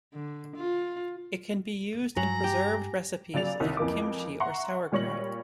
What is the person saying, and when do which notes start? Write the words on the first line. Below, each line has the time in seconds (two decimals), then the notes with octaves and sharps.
It can be used in preserved recipes like kimchi or sauerkraut.
0.14 D3
0.56 F4
2.17 G2 F#3 G#5 A#5 F7 F#7
2.44 G4
3.34 C#3 F#3 D5 A6 F7
3.60 C2 D#3 C#5
3.77 F2 E3 A#3 D6
4.40 E5 F#5 A#5 C6 C#6
4.92 A#2 G3 C#5 C#6 A#6 F#7